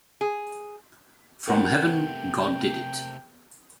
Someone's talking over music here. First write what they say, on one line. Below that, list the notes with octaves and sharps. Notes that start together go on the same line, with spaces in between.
From heaven, God did it.
G#4
E2 C3 A3 A#4 B4 F#5 G5